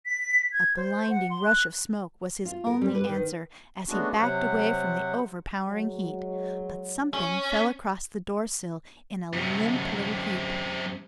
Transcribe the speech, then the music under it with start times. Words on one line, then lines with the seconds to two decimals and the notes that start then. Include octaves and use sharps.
A blinding rush of smoke was his only answer as he backed away from the overpowering heat, but something fell across the door-sill in a limp little heap.
0.06 B6
0.53 G#6
0.76 C5
1.10 F#5
1.30 C6
1.44 F#6
2.45 F4
2.66 A#4
2.81 G3
2.95 B4
3.09 D#3
3.88 G#3 A3 B3 C#4 D4 F#4
4.18 C3 F#3 C5 F#5
5.66 F#3 G#3
7.14 C#4
9.33 F#2 C3